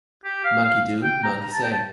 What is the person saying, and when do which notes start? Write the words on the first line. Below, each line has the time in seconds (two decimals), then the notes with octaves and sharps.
Monkey do, monkey say.
0.25 G4
0.44 F5
0.64 F5
1.04 G5
1.24 A#5
1.43 A#5
1.53 A5
1.63 G5
1.72 A5